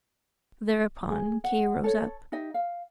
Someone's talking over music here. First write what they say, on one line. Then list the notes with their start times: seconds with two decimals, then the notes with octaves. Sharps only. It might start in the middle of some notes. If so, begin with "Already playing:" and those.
Thereupon Kay rose up.
1.10 G#4
1.44 F#5
1.84 A4 C#5
2.32 D#4 G4 D#5 E5
2.54 F5